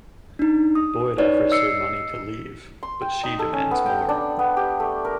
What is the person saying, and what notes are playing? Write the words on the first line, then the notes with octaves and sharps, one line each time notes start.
Boyd offers her money to leave but she demands more.
D4 D#4
D#6
D#4 B4 C#5 D5
D#5 E6 C7 C#7
C6
G5
D#4
A4
C#4
B3
G5
D4
B3
G4
A3
A#4